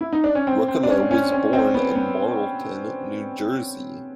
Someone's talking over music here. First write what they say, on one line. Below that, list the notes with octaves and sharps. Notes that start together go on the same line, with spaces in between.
Ruccolo was born in Marlton, New Jersey.
E4
D#4
D4
C#4
C4
C4
D4
C#4
C#4
C#4
C4
B3
B3